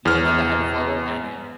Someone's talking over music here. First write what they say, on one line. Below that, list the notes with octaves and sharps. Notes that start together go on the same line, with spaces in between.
Leonard had followed Annie.
E2 F6